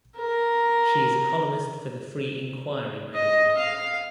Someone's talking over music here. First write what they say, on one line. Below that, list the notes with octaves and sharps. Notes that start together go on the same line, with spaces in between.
She is a columnist for "Free Inquiry" magazine.
A#4
D#5
F5